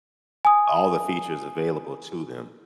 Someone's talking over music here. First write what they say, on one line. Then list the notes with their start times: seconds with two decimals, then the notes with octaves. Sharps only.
all the features available to them,
0.45 G#5 D#6